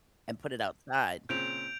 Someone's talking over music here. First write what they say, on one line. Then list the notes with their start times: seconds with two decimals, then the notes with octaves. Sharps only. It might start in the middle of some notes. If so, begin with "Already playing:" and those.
and put it outside,
1.29 A#2 C#3 C4 G6 D7 F7